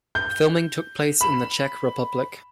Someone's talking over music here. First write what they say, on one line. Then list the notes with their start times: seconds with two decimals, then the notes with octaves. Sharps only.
Filming took place in the Czech Republic.
0.15 G6
1.21 B5 E7